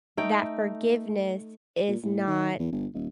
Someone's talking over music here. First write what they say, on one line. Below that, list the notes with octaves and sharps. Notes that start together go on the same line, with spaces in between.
that forgiveness is not
A3 D#4 G5
A#2
A2
D#3
E2
G1
D#1